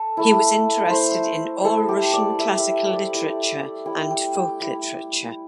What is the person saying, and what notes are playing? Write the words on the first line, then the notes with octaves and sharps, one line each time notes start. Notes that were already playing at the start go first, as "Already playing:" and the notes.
He was interested in all Russian classical literature and folk literature.
Already playing: A4
A3 E4
A3 E4 C5
A3 E4 A4
G4
D5
G3 E4 E5
E5
D5
G3 E4
G3 E4 G5
G5
G5
G3 E4